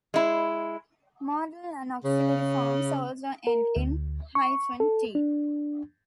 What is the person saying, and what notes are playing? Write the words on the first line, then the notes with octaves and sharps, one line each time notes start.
Modal and auxiliary forms also end in "-t".
G#3 E4
C#3
A#4
D2
C#6
A4
D4